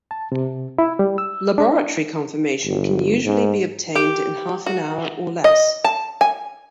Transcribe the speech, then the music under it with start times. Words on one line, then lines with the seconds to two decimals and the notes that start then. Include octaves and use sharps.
Laboratory confirmation can usually be obtained in half an hour or less.
0.11 A5
0.32 C3
0.79 E4
0.99 G3
1.18 E6
1.58 D4
2.64 G1
3.25 G#2
3.95 G4
4.66 F#4
5.44 D#5
5.84 A5
6.21 G#5